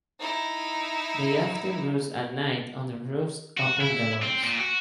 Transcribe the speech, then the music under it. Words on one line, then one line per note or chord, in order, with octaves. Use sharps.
They often roost at night on the roofs of bungalows.
D#4 E4
F#4
E4
C4
A#2
F#4